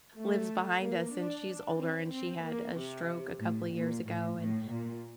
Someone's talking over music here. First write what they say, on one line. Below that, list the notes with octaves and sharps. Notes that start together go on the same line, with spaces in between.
lives behind us, and she's older, and she had a stroke a couple years ago, and,
A3
A#3
D4
C4
C4
A#3
C3
A2
A#2
A2
A2
A#2